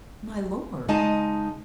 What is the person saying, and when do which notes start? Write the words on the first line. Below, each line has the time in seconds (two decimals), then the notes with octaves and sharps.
"My lord!"
0.88 C#3 G#3 D#4 D#5 A5